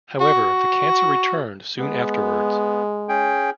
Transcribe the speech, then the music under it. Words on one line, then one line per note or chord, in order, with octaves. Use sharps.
However, the cancer returned soon afterwards.
F#4
G#3 B3
C#4 G#4 G5